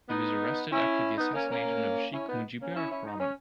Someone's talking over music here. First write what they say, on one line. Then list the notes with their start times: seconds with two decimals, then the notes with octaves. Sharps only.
He was arrested after the assassination of Sheikh Mujibur Rahman.
0.08 B3 D#4
0.71 C#4 E4
1.17 B3 D#4
1.33 A#3 C#4
1.50 A#3 C#4
2.12 C#4 E4
2.27 B3 D#4
2.60 A#3 C#4
2.75 C#4 E4
2.90 C#4 E4
3.06 D#4
3.19 C#4